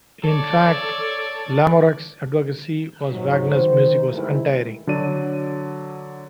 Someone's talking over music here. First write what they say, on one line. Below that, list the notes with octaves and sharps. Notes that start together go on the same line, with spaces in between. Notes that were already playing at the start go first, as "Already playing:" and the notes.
In fact Lamoureux's advocacy of Wagner's music was untiring.
A4 C#5 D5
G#2 F#3
D#3 C5
G2 D#3 E3 G#3 A3 E4
D3 F#3 D5 D#7